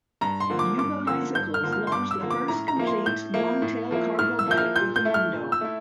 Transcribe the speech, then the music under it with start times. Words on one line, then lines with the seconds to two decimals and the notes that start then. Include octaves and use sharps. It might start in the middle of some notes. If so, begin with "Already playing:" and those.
Yuba Bicycles launched the first complete longtail cargo bike with the Mundo.
0.21 G2 A#5
0.40 C6
0.50 D3 F3 A#3
0.59 D6
0.78 G2 D6
1.07 D3 F3 A#3 E6
1.35 G2 G6
1.54 F6
1.63 D3 F3 A#3
1.72 F6
1.87 C6
1.92 G2 D6
2.11 E6
2.21 D3 F3 A#3
2.30 D6
2.48 A2 A#5
2.68 A#5
2.77 F3 A#3 E4
2.87 C6
3.06 A2 G6
3.34 F3 A#3 E4
3.62 A2
3.91 F3 A#3 E4
4.19 A2 F6
4.39 E6
4.47 F3 A#3 E4 G6
4.58 F6
4.76 A#2 G6
4.96 G6
5.05 A3 E4
5.14 F6
5.33 A#2
5.52 E6
5.61 A3 E4